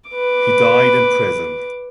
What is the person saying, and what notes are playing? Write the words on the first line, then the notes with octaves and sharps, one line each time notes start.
He died in prison.
B4 D6